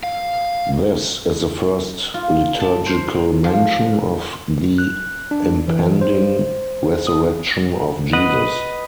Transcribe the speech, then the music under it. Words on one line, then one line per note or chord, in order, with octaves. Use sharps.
This is the first liturgical mention of the impending Resurrection of Jesus.
F5
F4
A5
C5
F3
F#6
D4
E3
C5
D#6
B4 D#5 F#5